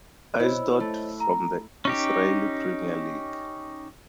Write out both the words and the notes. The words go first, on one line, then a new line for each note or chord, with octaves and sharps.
Ashdod from the Israeli Premier League.
E4 C5 C#5 D#5
A3
A#5
C#4 D#4 G4